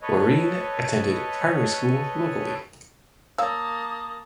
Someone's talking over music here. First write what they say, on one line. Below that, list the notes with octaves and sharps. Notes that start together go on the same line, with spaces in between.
Doreen attended primary school locally.
A4 B4 C#5 D#5
A#3 C#5 F5 A5 A#5 D#6 E6